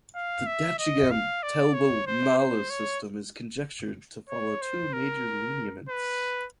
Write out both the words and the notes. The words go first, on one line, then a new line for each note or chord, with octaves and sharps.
The Dachigam Telbal Nallah system is conjectured to follow two major lineaments.
F5
E5
D#5
F5
D5
C#5
C5
C5
C#5
C#5
C5
A#4
B4